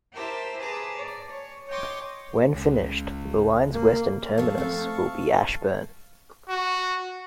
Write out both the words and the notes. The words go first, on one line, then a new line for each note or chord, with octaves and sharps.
When finished, the line's western terminus will be Ashburn.
E4 G4 A#4 C5 E5 A5
G#4 B4 A5 A#5 D6
D5
C#5
C#5 D#5 G5 C6 D6
C#2
A#3
F#2 F3 A3 F5 A5 C#6
A3 C4 A4
F#4